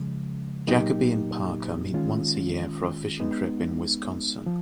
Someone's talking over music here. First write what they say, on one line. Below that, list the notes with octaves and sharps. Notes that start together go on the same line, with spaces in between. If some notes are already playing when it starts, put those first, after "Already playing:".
Jacoby and Parker meet once a year for a fishing trip in Wisconsin.
Already playing: C#3 F3 G#3
A#2 F#3 A#3 D#4 G4
D#3 G#3 C#4 F4
G#3 B3 D#4
F3